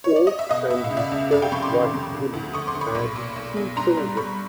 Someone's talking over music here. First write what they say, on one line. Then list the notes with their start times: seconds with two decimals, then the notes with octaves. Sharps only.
Ault and his first wife Julie had two children.
0.04 C#5
0.16 D5
0.27 D#5
0.39 E5
0.49 B2 D#5 F5
0.70 B2 E5
0.84 F5
0.91 C#2
0.97 D5 E5
1.11 C#2
1.31 F1 D5 E5
1.42 F5 G5
1.52 F2 B5 C#6
1.62 C6 D6
1.73 D#3
1.94 F2
2.14 D3
2.33 D2
2.54 D2 C#6 D#6
2.67 C6 D6
2.75 D2
2.81 B5 C#6
2.95 B1
3.16 A#2
3.36 B1
3.57 B1
3.76 G2 A#5 C6
3.97 G3
4.17 G3 B5 C#6